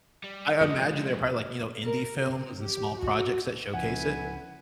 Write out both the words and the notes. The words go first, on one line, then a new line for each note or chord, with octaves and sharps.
I I imagine they're probably like, you know, indie films and small projects that showcase it,
G3
F3 G#3 D#5
A#4
C4
G4
F#4
C#2 F3 B3 C#4 E4 B4 F#5 G#5